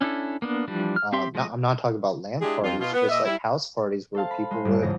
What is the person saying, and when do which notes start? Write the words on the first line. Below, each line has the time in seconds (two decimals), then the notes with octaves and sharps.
Um, nah, I'm not talking about land parties, just, like, house parties, where people would
0.01 C#4 D4 E4 A4
0.42 A#3 B3 D4
0.68 E3 F3 G3 D4
0.96 F6
1.13 C4 G4 E5 C6
1.35 F3 G#3 A3 D#5
2.41 G#3 D4 E4 G4 G#4
2.63 F2 F4
2.79 B2 F4
2.93 B3
3.09 A#2 D#5 E5
3.25 G3 E4
4.15 A4 C5 F5 A5
4.31 B5
4.51 G#3 C5
4.65 G1 G2
4.83 E2 G#2 C#3 A#6